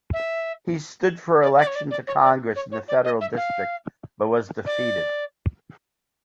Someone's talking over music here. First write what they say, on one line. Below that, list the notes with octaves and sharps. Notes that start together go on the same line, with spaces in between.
He stood for election to Congress in the Federal District but was defeated.
E5
D5
D5
C#5
D5
D5
C#5
D5
C#5
C#5
D5
D#5
E5
F5
D5